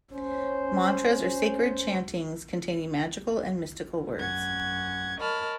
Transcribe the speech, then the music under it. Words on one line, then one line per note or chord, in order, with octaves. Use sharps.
Mantras are sacred chantings containing magical and mystical words.
C#4 C5
F#2 C#4 F#5 G#6
A#4 C#5 D#5 A5 B5 F6